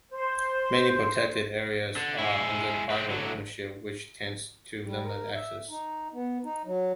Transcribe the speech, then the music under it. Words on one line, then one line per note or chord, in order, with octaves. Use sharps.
Many protected areas are under private ownership, which tends to limit access.
C5
D3
G#3 E4
C4 B4
D3 F#3
G3
A#4
E5
D#4
B3
D#4
F#3